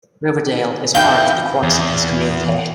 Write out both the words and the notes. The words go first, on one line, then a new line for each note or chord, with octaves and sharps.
Riverdale is part of the Quad-Cities community.
E2 D3 D#4 E4 F5 G5 G6
E2